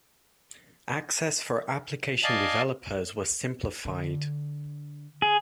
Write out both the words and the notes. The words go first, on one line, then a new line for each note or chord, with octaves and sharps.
Access for application developers was simplified.
D5 D#5 F5 G#5 A5
D3
G#4